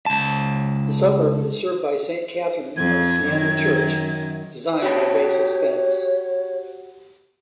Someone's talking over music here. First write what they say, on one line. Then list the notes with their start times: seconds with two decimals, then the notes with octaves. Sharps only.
The suburb is served by Saint Catherine of Siena church, designed by Basil Spence.
0.06 C#2 A5
2.77 F2 G#6
3.25 F#2 D#3
4.82 F#4 G4 B4 C#5